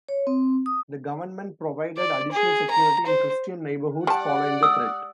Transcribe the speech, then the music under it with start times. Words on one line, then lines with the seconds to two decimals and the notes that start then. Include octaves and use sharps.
The government provided additional security in Christian neighborhoods following the threat.
0.09 C#5
0.27 C4
0.66 D#6
1.98 D5
2.32 G#4
2.70 A#5
3.06 C5
4.07 G3 G4 D5 F#5 A5
4.63 D#6 E6